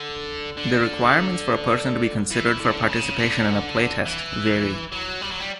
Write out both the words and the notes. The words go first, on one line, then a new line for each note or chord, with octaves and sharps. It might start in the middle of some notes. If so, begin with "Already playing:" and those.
The requirements for a person to be considered for participation in a playtest vary.
Already playing: D3
D3
E3
D3
C#3
D3
E3
F#3
G3
F#3
G3